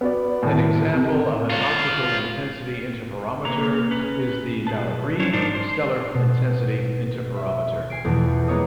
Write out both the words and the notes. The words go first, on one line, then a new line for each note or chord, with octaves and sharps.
An example of an optical intensity interferometer is the Narrabri Stellar Intensity Interferometer.
B3 F#4 D5
D#2 A2
C3
F4 C#5
C3 A#3 B4 C#5 A#5
C#4 B4
B2 G#4 B4 A5
F#3 C#4 D4 E4 C5 C#5
G#2 D4 D#4 A#4 C5 D5
C5
B2
E5
G#5 C7 D7
E2 B2 E3 F3 A3
G#3 A#3 B3 C#5 D#5